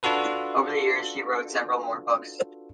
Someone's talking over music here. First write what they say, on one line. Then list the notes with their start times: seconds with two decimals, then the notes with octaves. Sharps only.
Over the years, she wrote several more books.
0.03 D4 F4 F#4 A4 B4